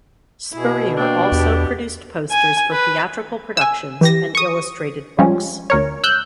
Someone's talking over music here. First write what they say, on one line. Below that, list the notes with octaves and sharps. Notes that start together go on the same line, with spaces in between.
Spurrier also produced posters for theatrical productions and illustrated books.
B2 E4 G#4
A#3 D4 F5 G5
E2 B3 G4
G#5
B4
G#5 E6
E3 G4 A#6
C#6 D#6
F3 G3 G#3 C#4
D2 A#4 C#5
E6 F#6 G6